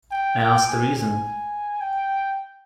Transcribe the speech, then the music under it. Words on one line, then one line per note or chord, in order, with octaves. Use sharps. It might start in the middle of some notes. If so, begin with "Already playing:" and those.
I asked the reason.
G5
G5
G#5
G#5
G5